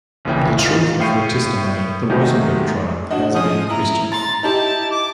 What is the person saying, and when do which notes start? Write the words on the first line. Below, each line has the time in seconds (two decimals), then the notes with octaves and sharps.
The truth of her testimony at the Rosenberg trial has been questioned.
0.25 A#1 D#2 A#2 C#3 E3 G5
0.57 G#2 F4
1.00 A2 F5 G5 C#6 C7 D#7
2.10 D#3 F#3 G#3 A3 D#4 G4
3.11 D4 F#4 D#5
3.35 F3 G#3 C#4 D#6
3.70 E4 A#5
4.12 A#5 C6 A6
4.43 D#4 E4 G4 A5
4.91 D6